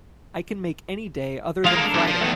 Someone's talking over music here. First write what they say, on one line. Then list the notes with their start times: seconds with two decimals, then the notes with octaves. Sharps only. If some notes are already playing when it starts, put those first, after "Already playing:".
I can make any day other than Friday.
1.65 F3 G#3 A#3 F4 F5
1.76 D4 A4 A#4
1.94 B1 G2
2.07 F3
2.21 E2 D#3 A3 B3 A4